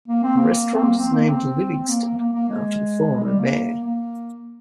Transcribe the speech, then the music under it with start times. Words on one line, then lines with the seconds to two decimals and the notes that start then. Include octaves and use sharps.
The restaurant is named "Livingston" after the former mayor.
0.08 A#3
0.23 C4
0.37 A#3
0.75 C4
0.84 A#3
0.99 C4
1.14 A#3
1.28 C4
1.74 C4
1.89 A#3
2.05 A#3
2.18 A#3
2.34 A#3
2.50 G#3
3.17 G#3
3.25 G3
3.40 A#3
3.85 A#3